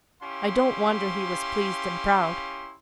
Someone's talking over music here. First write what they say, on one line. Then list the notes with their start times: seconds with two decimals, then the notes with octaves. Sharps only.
I don't wonder he was pleased and proud.
0.22 C#4 E4 G4 F5 C6